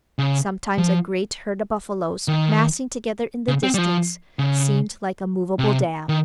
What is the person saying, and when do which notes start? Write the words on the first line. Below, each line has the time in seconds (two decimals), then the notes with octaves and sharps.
Sometimes a great herd of buffaloes, massing together in the distance, seemed like a moveable dam.
0.19 C#3
0.78 F3
2.28 D#3
3.48 C#3
3.63 C4
3.74 G3
3.78 F3
4.39 C#3
5.59 C3
6.09 D#3